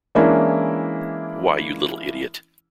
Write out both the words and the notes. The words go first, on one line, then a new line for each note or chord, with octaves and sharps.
Why, you little idiot!
E3 G#3 A#3 C#4 D4 E4